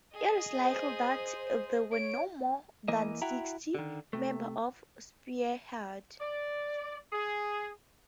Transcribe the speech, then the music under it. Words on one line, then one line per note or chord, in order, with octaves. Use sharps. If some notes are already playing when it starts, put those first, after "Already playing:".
It is likely that there were no more than sixty members of Spearhead.
G#4 D#5
C5
C#5 D7
E3 A#3 D#5
E4 F#4 E5 F#5 G5 A#5
D3 D#3
C3 A3
D5
G#4